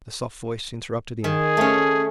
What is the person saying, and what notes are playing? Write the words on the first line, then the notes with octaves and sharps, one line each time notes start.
The soft voice interrupted him.
D#3 G#4
A3 C#4